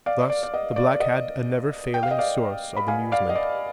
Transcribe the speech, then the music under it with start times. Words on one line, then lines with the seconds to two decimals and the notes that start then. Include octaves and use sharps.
Thus the black had a never-failing source of amusement.
0.06 D5 F5
0.30 D5
0.43 D5
0.54 D#5
0.76 D5
0.95 D5
1.00 D#5
1.94 G5
2.03 F5
2.11 D#5
2.19 D5 F5
2.76 B5
2.88 F5 G#5
3.12 D5 F5
3.29 D#5
3.35 D5